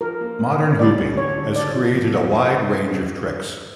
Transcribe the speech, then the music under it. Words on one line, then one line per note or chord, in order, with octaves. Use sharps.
Modern hooping has created a wide range of tricks.
F3 A#4
A#3
A#2
C#4
G3 D5
C#4
D3 C#5
D3
C#3 D5
F3
F2
A#3
A#3